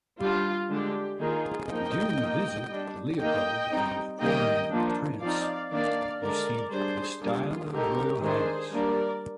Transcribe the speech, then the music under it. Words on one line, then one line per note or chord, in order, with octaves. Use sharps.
During the visit, Leopold, as a "foreign prince", received the style of "Royal Highness".
G3 D4 F4
D3 G#3 D4 G4
D#3 A#3 D#4 F4 G#4
F3 A#3 D#4 D#5 G5
F3 A#3 D#4
G3 D4
D#3 A#3 D#4 D#5 G5
G3 C4 D#4
D#3 G3 A#3 D#4 D#5 G5
F3 A#3 D4
F3 C4 D#4 D5 F5
D#3 A#3 D4 D5 F5
D3 G#3 D4 A#4 D5
G3 D4 G#4 C5
G3 A#3 D4 F4 G#4
D3 G#3 D#4 G4 A#4
D#3 G#3 D4 G#4 C5
G3 A#3 D4 A#4 D5